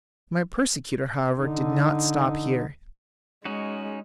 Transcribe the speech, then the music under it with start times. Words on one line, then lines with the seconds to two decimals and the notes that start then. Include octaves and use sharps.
My persecutor, however, did not stop here.
1.39 D3 D#4
3.45 G#3 C#4 D#4 F#4